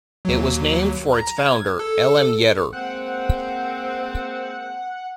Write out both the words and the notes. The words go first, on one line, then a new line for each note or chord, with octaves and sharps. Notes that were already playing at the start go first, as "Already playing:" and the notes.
It was named for its founder, L. M. Yetter.
D#2 F#3
A#5
G#6
A4
G#3 A#3 C4 F#5